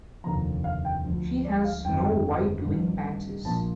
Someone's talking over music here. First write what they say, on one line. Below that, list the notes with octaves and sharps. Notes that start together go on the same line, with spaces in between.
She has no white wing patches.
F1 D#2 D3 F3 A#5
F5
G5
D2 D3 F3
D5
F5
G1 F2 D#3 G5
A1 G2 D#3
A#1 A#2 F3 A5